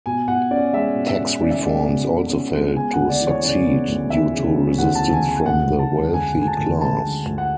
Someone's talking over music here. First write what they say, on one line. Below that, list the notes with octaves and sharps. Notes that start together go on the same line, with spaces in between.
Tax reforms also failed to succeed due to resistance from the wealthy class.
B2 G#5
B2 F#5
C#4 D5
G#3 E5
B2
E5
B2
C#4 D5
E5
G#3 D5
B2
B2
C#4
G#3
B3 G#5
D2 F#5
D5
E3
C#5
C#3 D5
B3
D2
E3 E5
C#3
B3
D2 F#5
A5
E3
G#5
C#3 G#5
D2 F#5
D2
A5
G#3
D3 G#5
D2
G#5
A5
D2
G#3 A5
D3
D2
F#5